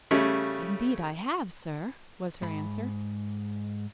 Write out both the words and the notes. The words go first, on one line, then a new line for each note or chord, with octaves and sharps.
"Indeed I have, sir," was her answer.
C#3 G3 A3 C#4
G#2 B5